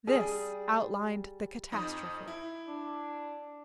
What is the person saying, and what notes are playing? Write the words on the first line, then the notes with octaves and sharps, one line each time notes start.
This outlined the catastrophe.
G3 G#4
F2 D#4 D#6
E4
D4